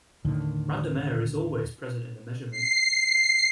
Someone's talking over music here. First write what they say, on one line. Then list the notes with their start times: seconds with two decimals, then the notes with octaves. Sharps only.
Random error is always present in a measurement.
0.25 D#2 A2 D3 D#3
2.51 C7